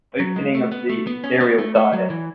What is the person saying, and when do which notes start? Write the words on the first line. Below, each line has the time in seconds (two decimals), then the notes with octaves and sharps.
Opening of the Imperial diet.
0.20 F#3
0.36 G#3
0.55 A3
0.72 B3
0.89 A3
1.07 B3
1.24 C#4
1.40 B3
1.58 A3
1.75 A3
1.93 F#3
2.10 E3